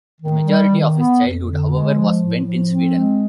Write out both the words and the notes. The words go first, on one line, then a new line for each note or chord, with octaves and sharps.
The majority of his childhood, however, was spent in Sweden.
D#3
G3
D#3
B3
F2
D3
G#3
F3
A2
F3
C4
G#3